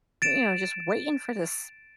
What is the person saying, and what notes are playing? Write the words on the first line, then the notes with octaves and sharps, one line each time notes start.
you know, just waiting for this
A6 D7 E7